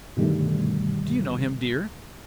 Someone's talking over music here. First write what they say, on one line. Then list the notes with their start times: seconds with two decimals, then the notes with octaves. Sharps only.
"Do you know him, dear?"
0.16 G2 B2 D3 D#3 G3 A3